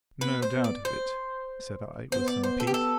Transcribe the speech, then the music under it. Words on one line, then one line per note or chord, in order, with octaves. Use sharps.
"No doubt of it," said I, with some pique.
B3 B4
C5
B3
D5
C5
B3 C5
D5
C5
A4
G4
A4